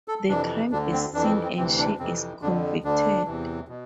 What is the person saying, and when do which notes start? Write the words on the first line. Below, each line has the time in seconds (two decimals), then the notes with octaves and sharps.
The crime is seen and she is convicted.
0.08 A4
0.29 F2 C3 E3 D4
0.71 D2 D3 D4
0.92 C4
1.14 F2 E3 D4
1.23 C4
1.43 C4
1.57 D2 C3 E3 C4
1.78 D4
1.99 F2 C3 E3 C4
2.42 F2 D3 D4
2.84 D2 D3 D4
3.26 E2 C3 E3
3.68 B2